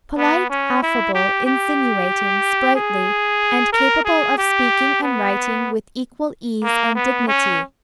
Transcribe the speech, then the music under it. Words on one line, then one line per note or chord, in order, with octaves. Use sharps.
Polite, affable, insinuating, sprightly, and capable of speaking and writing with equal ease and dignity.
B3
C#4
E4
G4
G4
G#4
A#4
G#4
G4
B3
A#3
B3
C#4